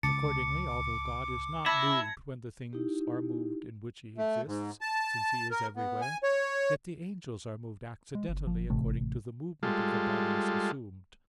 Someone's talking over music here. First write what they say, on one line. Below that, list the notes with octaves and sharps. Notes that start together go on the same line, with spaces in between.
Accordingly, although God is not moved when the things are moved in which He exists, since He is everywhere; yet the angels are moved accidentally according to the movement of the bodies assumed.
C#2 A5 D6 C#7
E4 A5 B5 G#6 A#6
D#4 E4 G4
A3
G#2
A5
A#4
B3
G#5
C#5
G#3
G1
F3
A1 C3 A3
G3 G#3 F4 A4